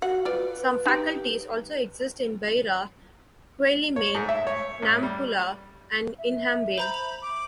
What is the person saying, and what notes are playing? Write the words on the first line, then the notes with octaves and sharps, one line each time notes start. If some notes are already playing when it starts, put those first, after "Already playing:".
Some faculties also exist in Beira, Quelimane, Nampula and Inhambane.
F#4 F#5
F4 B4 D5
D#4 G4
C#5
G#2
E5
C#5
A1
G3
E5
C5 A#5 B5 G6
F7
D6